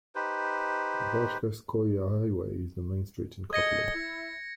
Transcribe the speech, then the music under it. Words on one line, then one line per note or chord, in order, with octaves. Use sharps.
Varshavskoye highway is the main street in Kotly.
D#4 G4 B4 C5
G#4 A4 D#5 G#6 A#6 C#7
E4